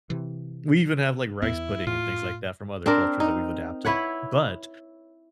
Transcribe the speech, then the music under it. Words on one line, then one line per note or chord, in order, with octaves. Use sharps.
We even have, like, rice pudding and things like that from other cultures that we've adapted, but,
C3 E3
E2 B3 E4
A2 F4
C4 D4 A#4
D#4
E4 B4 C#5 F#5